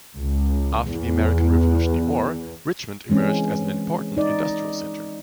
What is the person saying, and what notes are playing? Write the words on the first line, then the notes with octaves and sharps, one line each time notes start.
After the American Revolutionary War, Richmond emerged as an important industrial center.
C#2
E2
E3 G#3 C4 C#4
D#4 D5